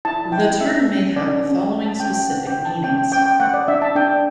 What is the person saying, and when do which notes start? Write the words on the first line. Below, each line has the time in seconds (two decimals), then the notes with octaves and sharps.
The term may have the following specific meanings.
0.05 E4 A5
0.32 E4 G5
0.61 C#4 E5
0.88 C#4
1.16 C#4 D5
1.44 C#4
1.72 C#4
1.86 A5
2.00 C#4 G5
2.14 G5
2.28 C#4 F#5
2.47 G5
2.56 E4
2.65 A5
2.84 C#4 G5
2.98 G5
3.12 C#4 G5
3.26 G5
3.40 A3 F#5
3.54 D5
3.68 D4 E5
3.82 A5
3.95 D4 G5